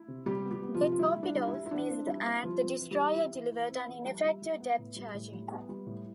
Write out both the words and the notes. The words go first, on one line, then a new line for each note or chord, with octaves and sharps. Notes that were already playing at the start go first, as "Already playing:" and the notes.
The torpedoes missed, and the destroyer delivered an ineffective depth charging.
Already playing: E4
C3
C3 G3 G4
B3
G3 G4
B3
F3 F4
C3
F4
G3 E4
G3
D4
G3
E4
G3
E4
E3 D4
C4
G3 E4
C4
F3 G3 F4
C4
E3
G3 G4
E3
E3 E4
E3
E3
C4
E3
G3
G3
G3
B3
A2
G3
A2
G3
B3
G3
A2